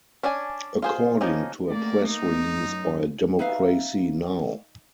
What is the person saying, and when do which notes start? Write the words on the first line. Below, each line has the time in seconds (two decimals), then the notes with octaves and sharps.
According to a press release by Democracy Now!
0.23 C#4 D4 D5 G#5
0.82 F4 G#4 C5
1.21 F3 A#3 C#4 D#4
1.69 A3 A#3 D5
2.04 D#4
2.56 F#2
3.39 D#4 B4 E5 F5